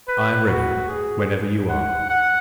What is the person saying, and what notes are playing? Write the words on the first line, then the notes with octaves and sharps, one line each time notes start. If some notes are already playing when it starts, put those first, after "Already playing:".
"I am ready, whenever you are."
B4
F#4
G#4
F#5
F#5